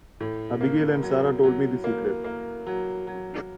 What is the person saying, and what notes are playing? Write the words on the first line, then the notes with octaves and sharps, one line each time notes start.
Abigail and Sara told me the secret.
A2
A#3
F#3
F#3
A#3
A#3
F#3
F#3